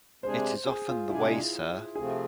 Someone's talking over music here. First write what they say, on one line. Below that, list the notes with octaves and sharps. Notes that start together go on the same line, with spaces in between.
It is often the way, sir.
C3 G#3 D4 G#4 C5
G#4
F4
C3 G#3 D4 E4 G#4
C3 F3 A3 C4 G#4